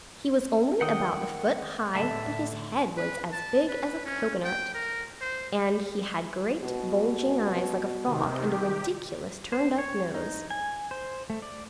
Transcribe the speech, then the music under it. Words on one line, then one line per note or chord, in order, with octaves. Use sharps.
He was only about a foot high, but his head was as big as a cocoanut, and he had great, bulging eyes, like a frog, and a ridiculous turned-up nose.
D#3 F#5 G5 D#6
A2 D3 A3 E5 F#5 A5
B4
A5
B4
C#4
G5
A#4
C5
B2
C3 D#3
G4
C5
C#5
D#4
G#5
C5
A3
D5